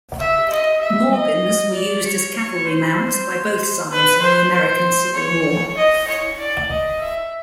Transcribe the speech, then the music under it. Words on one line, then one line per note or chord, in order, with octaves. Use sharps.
Morgans were used as cavalry mounts by both sides in the American Civil War.
E5
D#5
E5
D#5
D5
C#5
C#5
C5
B4
C5
C5
C#5
D#5
C#5
D5
D#5
E5